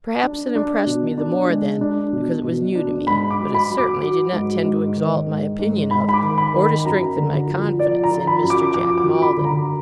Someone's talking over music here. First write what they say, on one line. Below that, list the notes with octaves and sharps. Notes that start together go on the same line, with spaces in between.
Perhaps it impressed me the more then, because it was new to me, but it certainly did not tend to exalt my opinion of, or to strengthen my confidence in, Mr. Jack Maldon.
D4
D4
B2
D4
G#3
D4
B2
B2
D4
G#2 B5
D6
F#3
B5
F#3
D6
F#3
G#2
G#2
D#3
G#2
G#2
G#2 B5
B5
D6
D#3
B5
D#3
B5
F#2 A#5
D3
F3
F3 D5
A#5
F3
B5
F#2
D6
F3 D6
D6
F#2
B5
D3
A#5